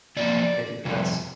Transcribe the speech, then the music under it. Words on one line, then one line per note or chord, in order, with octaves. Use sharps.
I think that that's
C3 F3 A#3 D5
F2 C3 G3